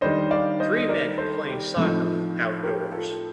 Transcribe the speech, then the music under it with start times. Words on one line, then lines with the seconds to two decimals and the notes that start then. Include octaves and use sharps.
Three men playing soccer outdoors.
0.01 D#3 G3 D4 C5 D#5
0.31 D5 F5
0.60 C5 D#5
0.77 D#5
0.89 A#4 D5
1.17 A4 C5
1.47 G4
1.76 A2 F3 C4 D#4 F4 A4
2.63 G4 A#4
2.92 F4 A4